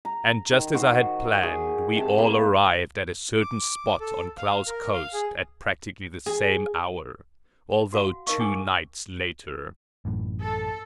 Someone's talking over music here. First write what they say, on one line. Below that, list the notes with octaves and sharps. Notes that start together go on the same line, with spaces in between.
And, just as I had planned, we all arrived at a certain spot on Klow's coast at practically the same hour, although two nights later.
A#5
D#3
D#4 F#4 C5
G#4
C3 A5
A#3 B4 F5 A#5
D6
A4
F5
A#4
F5
G#4
G#4
F#4 F5 F#5
D#4 A#4 D#5 F5 C#6
D4 G#4 F#5 G#5 D6
A1 F#2 A2
A4